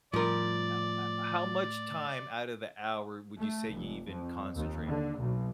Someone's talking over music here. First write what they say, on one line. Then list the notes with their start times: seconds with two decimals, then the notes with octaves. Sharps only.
ah oh ah How much time out of the hour would you say you even concentrate on it?
0.13 A2 F3 G3 A#4 D5
3.39 A3
3.72 F1
4.09 F2
4.55 D#2
4.87 D3
5.20 B1